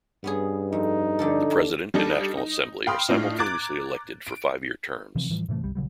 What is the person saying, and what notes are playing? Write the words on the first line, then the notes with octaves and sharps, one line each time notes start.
The President and National Assembly are simultaneously elected for five-year terms.
G2 B3 C#4 G#4
F2 D#4
D3 F3 A4
G3 D4 D#4 A4
D#4
F5 G5 B5 C6 D#6 F6
A2 D4 D#4 F4
A#5 D6 F#6 G#6 A6 D7
D7
C3 E3 F3 C4
A2 E3 F3 G3
A2 C3 E3 A3
G1 C2 G3
A#1 C#3 F#3 G3